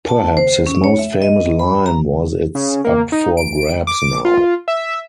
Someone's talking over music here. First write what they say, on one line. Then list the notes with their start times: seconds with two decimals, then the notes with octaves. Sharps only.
Perhaps his most famous line was it's up for grabs now!
0.09 A5
0.37 C5
0.66 C#4
0.84 C#5
0.99 E5
1.22 D#5
1.59 B5
1.86 A#5
2.55 C#3
2.85 A#3
3.12 D#4
3.37 D7
3.87 D6
4.25 F4
4.68 E5